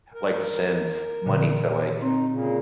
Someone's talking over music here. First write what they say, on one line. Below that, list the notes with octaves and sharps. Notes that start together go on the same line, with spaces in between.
liked to send money to, like,
A#4
A#2 D3
C4 D#4
A#2 C#3